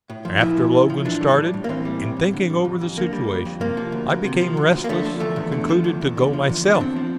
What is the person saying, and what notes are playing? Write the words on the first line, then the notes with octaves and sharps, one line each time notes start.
After Logan started, in thinking over the situation, I became restless, and concluded to go myself.
A2
F3
F3 E4
A2
A2
F3
E3 D4
G3
A2
A2
A#3
E3 C4
G3
A2
A2
D3
G3
F2
F2
D3 A#3
G3
F2
F2
C3 A#3
F3
D2
D2
C3
F3
D2
D2
A#3
D3 A3
F3
E2 A3
E2
D3
F3
E2
E2
D3
F3
E2
E2
D4
D3 C4
F3